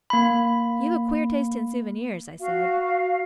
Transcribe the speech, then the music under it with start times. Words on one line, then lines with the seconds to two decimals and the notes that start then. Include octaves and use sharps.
'You've a queer taste in souvenirs,' I said.
0.10 A#3 B5
2.40 F#4 F5